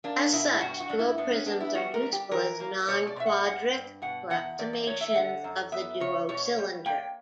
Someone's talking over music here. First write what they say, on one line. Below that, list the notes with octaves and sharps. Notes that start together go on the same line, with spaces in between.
As such, duoprisms are useful as non-quadric approximations of the duocylinder.
A#3 D4
B2 E4
E4
G2 F#4
F#4
G2 D4
E4
B3 D4
C#4
B3 D4
E4
G3 F#4
A#4
G3
G4
E3 A#4
A#3
B2 C#5
D5
B2 E5
F#5
G2 F#5
G2
B2 F#5
E2 F#5
E2 D5
D5
E2 C#5
E5
D3 F#5
F#2
B3 E5
C#3 C#5
B2 C#5
G3
A#3 G5